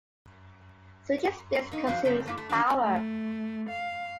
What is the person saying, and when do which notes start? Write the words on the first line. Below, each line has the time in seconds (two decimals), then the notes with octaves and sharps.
Switching states consumes power.
1.72 A#3 D#4
1.87 G#2 F3 F#4 C5 F5
2.05 C#3 C4 A4 A#5
2.26 A3 A#3 E4
2.38 A3
2.49 F#2 D#3 F3 F#3 D4
2.84 A3
3.69 F5